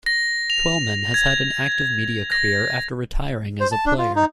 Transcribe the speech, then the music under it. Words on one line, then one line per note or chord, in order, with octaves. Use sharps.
Twellman has had an active media career after retiring as a player.
A#6
F7
G#6
A#6
C5
A5
D4
F4
D#4